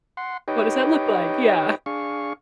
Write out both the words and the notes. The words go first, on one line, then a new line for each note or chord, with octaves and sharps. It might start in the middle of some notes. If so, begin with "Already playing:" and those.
What does that look like? Yeah.
F#5 C6
D#4 G4 B4 C#5 D#5 G5
D4 G#4 F5 C#6